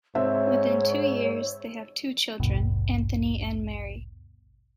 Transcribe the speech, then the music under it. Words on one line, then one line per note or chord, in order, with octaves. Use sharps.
Within two years, they have two children, Anthony and Mary.
G#2 C4 C#5 E5
A1 D2 G2 B2